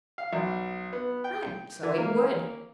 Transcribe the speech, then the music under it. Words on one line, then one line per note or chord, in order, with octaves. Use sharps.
And so it would.
F5
B1
B3
G5
E3
A#3